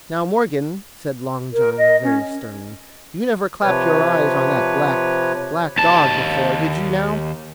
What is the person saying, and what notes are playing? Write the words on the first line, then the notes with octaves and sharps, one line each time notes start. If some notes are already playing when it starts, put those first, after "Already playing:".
"Now, Morgan," said Long John very sternly, "you never clapped your eyes on that Black--Black Dog before, did you, now?"
A#4
D#5
C#4
C3 F3 B4 C#5
D#2 A5